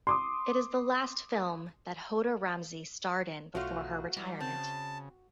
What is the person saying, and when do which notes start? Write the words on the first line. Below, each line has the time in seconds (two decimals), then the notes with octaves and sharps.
It is the last film that Hoda Ramzi starred in before her retirement.
0.07 C6 D6 D#6
3.55 B1 F#3 A3 F4 F#4
4.17 E3 G3
4.40 C#3 C4 A5